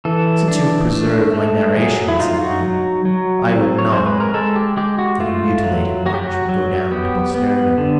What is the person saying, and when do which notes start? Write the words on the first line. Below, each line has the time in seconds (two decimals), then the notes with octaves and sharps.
"Since you have preserved my narration," said he, "I would not that a mutilated one should go down to posterity."
0.05 E3 A4
0.48 D4
0.91 A3
1.33 A3
1.77 F#3 G#4
2.08 E4
2.19 D#4 F4
2.41 F#4
2.62 F#3
3.05 F#3
3.48 C4
3.78 C#5
3.91 G#3 C5
4.06 B4
4.20 A#4
4.34 G#3 A4
4.56 G4
4.77 G#3 G4
4.99 F#4
5.20 A3 F4
5.63 F#3
6.06 F#3 F#4
6.14 G4
6.22 F#4
6.49 F#3
6.91 B3 G4
7.34 B3
7.78 D3